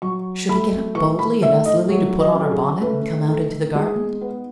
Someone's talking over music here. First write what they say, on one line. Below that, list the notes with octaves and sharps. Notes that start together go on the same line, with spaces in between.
Should he get up boldly and ask Lily to put on her bonnet and come out into the garden?
F#3 C#6
A3 B5
E3 C#6
B5
A3 E5
D#5
F#3 C#5
D#5
C#4
A4
G#4
A3 B4
D#4 A4
G#3 G#4
B3